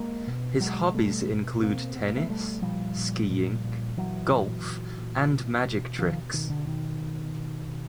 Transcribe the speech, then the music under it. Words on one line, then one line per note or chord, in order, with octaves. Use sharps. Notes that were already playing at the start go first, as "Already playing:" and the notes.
His hobbies include tennis, skiing, golf and magic tricks.
Already playing: G#3 A#3
B2
B2 F#3 G#3
B2 G3 A3
B2
B2 A#3 C4
B2 B3
A#3
A3 B3
B2 G3 A3
A#2 F3 G3
A#2
A#2
A#2
A#2 E3 F#3
A#2
A#2
A#2
B2
B2
B2 D#3 F3
B2 D#3
D3
B2 D#3
B2
B2
B2